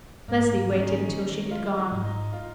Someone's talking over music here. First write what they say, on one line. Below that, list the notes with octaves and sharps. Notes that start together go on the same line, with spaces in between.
Leslie waited until she had gone.
G#2 A#3
D#3 C#4
D#4
C#4
D#3
G#3 F4
D#4
G#2
D#4
F4